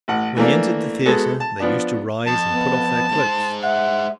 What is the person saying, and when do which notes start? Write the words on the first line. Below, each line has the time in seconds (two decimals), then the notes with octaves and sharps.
When he entered the theatre, they used to rise, and put off their cloaks.
0.08 A1 F#5
0.36 E3 A3 A#3 D4
1.06 G#3 B3 F#4 G#4 A4
1.40 A5
1.60 F3 B3 D4
2.27 F2 A5
2.51 B3
3.12 G#3 C5
3.63 E5 F#5